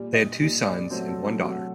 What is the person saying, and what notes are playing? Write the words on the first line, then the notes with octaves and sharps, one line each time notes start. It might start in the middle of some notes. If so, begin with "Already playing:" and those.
They had two sons, and one daughter.
Already playing: A#2 G3
D#5
A#2 G3
D5
C3 F#3 A3 C5
A4
A4
C3 F#3 A3 F#4